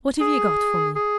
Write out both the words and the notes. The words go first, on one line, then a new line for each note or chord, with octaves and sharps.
What have you got for me?'
G#4
G#4